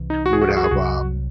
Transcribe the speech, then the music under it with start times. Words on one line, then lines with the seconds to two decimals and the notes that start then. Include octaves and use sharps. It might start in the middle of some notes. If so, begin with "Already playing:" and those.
we would have, um,
Already playing: C2 C3 E3
0.10 D#4
0.26 F#4
0.33 G#4
0.41 F#4
0.48 G#4
0.56 F#4
0.64 G#4
0.71 C2 C3 F#3 F#4